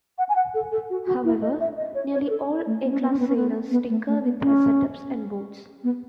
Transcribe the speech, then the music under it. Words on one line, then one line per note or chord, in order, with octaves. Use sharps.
However, nearly all A-Class sailors tinker with their setups and boats.
F#5
G#5
F#5
A4
A4
F#4
F#4
E4
D#5
E5
D#5
C#5
C#5
B4
A4
A3
B3
C#4
B3
C#4
B3
C#4
B3
B3
A3
A3
B3
C#4
B3